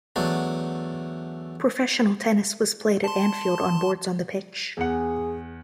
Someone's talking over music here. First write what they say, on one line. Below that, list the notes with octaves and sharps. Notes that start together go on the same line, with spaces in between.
Professional tennis was played at Anfield on boards on the pitch.
E2 F#3 A3 D4
A5 C6
E2 G#4 F#5